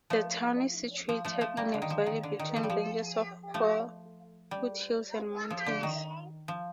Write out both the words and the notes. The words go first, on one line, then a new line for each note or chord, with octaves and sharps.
The town is situated in a valley between ranges of foothills and mountains.
F3 A3
F3
F3 A3
F3 A3
G3 A#3
D3
D#3
F3
D#3
D3
D#3
F3
G3
F3
F3 A3
G3
F3
D3
D#3
F3